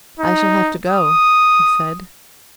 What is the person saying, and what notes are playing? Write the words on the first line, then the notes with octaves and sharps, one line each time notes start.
"I shall have to go," he said.
D#4
D#6